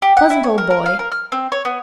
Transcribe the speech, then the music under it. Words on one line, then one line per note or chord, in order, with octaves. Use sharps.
Pleasant old boy.
G4
F#5
E4
C#5
A#4
A#4
F5
A#4
F6
C4
C#5
B3